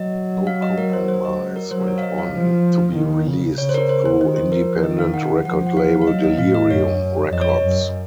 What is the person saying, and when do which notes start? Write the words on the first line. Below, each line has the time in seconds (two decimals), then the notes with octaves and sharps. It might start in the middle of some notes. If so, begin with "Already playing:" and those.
"No Compromize" went on to be released through independent record label Delerium Records.
Already playing: F#3 D#5
0.47 F5
0.62 D#5
0.78 A#4
0.93 C5
1.08 C5
1.25 D#5
1.56 A#4
1.71 F#3 C5
1.87 C#5
1.98 F5
2.02 D#5
2.18 F5
2.34 F3
2.96 D#3
3.27 C#3
3.58 C#3 C#5
3.69 C5
3.74 A#4
3.89 C5
4.05 C5
4.21 D#3 C5
4.36 C5
4.51 F3 A#4
4.83 D#3 D#5
4.99 F5
5.14 F#5
5.45 F3 F#5
5.67 F#5
5.77 F5
6.02 F5
6.07 F#3 D#5
6.24 D#5
6.39 A2 F5
6.55 D#5
6.70 F#2 C#5
7.32 F2 D#5
7.41 C#5
7.48 D#5
7.64 F#2